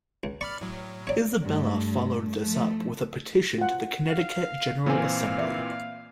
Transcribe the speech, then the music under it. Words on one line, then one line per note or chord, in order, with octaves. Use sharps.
Isabella followed this up with a petition to the Connecticut General Assembly.
C#2
D5 B5 C#6 F6
A2 F#3
C#5 D5
G2 A3
F3 A3
F4 F#5
F5
A#2 E3 A#3 C4 F5 G#5
D5 E5